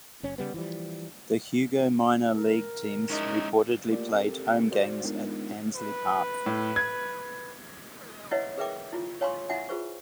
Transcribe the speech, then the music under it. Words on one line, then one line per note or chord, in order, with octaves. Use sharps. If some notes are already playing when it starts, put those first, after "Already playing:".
The Hugo minor league teams reportedly played home games at Ansley Park.
F#1 C#4
C#3 G3 B3
E3 F3 G3
A#4
G#3 C#4 D#4 E4
A3 A#3 F4 G4 A#4 D5
C4 G4 A4 A#4
F#4 C5 D5
G#3 B3 D4 D#4 F4 A#4
B4
A2
G#6
E4 B4 C#5 D#5 E5 F#5
G#4 A#4 B4 E5 G5 D6
E4 F4
C#5 F5 G#5 A#5 C6 C#6
E4 E5 F#5 G#5
F4 G#4 B4 C5 C#6